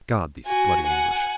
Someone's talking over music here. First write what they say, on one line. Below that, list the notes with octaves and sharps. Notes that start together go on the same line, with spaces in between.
God, these bloody English!
F#4 G#5
F#5 G#5